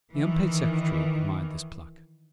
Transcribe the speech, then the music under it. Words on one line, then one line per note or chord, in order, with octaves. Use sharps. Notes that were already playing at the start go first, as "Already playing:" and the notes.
The unpaid secretary admired this pluck.
D#3 E3